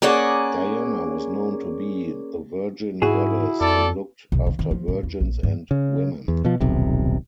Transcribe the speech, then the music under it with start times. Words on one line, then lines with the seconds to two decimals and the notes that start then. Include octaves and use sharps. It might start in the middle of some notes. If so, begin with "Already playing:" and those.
Diana was known to be the virgin goddess and looked after virgins and women.
0.02 A#3 C#4 G#4 D5 F#5
3.02 G#2 E4 F#4 G#4
3.61 F2 A4 D5
4.32 B1
4.47 D3
4.59 D#3
4.71 F3
4.88 A2
5.03 E2
5.21 A#1
5.43 G2
5.71 C#3
6.28 E2
6.45 B2 F3
6.61 D#1 B1 C3